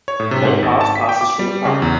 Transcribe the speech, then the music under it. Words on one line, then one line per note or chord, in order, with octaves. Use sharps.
The Long Path passes through the park.
C#5
A2
C3
G#2
G#1
A5
B6
G5
D6
G3
C#3
E2